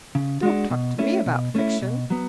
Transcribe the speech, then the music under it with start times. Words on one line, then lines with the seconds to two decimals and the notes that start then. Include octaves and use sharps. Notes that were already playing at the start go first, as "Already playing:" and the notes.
Don't talk to me about fiction!
0.15 C#3
0.43 G#3 D4 F#4
0.70 B2
0.98 A3 C#4 E4
1.26 B2
1.55 A3 C#4 E4
1.82 B2
2.10 F#3 B3